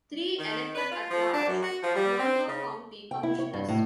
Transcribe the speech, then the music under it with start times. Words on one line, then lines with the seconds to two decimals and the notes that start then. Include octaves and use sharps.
Three, elected at large, Monroe County Commissioners.
0.38 D#3
0.75 B4
0.92 F4
1.11 F3
1.33 D4
1.47 F#2
1.63 F#4
1.83 F3
1.95 G3
2.18 C4
2.48 C#3
3.11 G5
3.23 E4
3.39 C#5
3.54 G2
3.68 A2